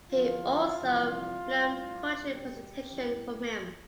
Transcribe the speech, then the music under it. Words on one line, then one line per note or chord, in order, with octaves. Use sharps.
He also learned poetry presentation from him.
E2 D3 F3 F4
F2 C3 E3 G3
A2 G3
B2 G3 G4
A2 E3 G3